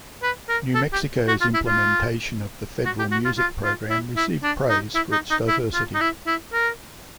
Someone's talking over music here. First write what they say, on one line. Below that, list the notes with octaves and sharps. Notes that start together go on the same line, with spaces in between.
New Mexico's implementation of the Federal Music Program received praise for its diversity.
B4
A#4
A4
G4
F#4
F4
E4
F4
F#4
G4
F#4
F4
F4
F4
E4
E4
D4
D#4
E4
D#4
D#4
E4
F4
D#4
E4
E4
A#4